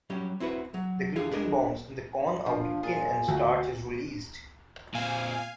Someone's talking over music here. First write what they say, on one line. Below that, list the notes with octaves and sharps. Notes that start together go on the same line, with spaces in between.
The gluten bonds in the corn are weakened and starch is released.
F#3 G3 C#4 G4
C4 E4 F#4 B4
F#3
D3 G4 G#4 F5
D4 G#4 A#4 D#5
F3 D4 F4
A#2 F4 G#4 G#5
D2 F#4
A#2 C4 F5 G#5